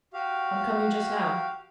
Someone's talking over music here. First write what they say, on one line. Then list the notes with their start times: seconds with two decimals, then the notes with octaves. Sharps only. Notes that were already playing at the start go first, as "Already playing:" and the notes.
"I'm coming just now."
0.13 F#4 G4 F5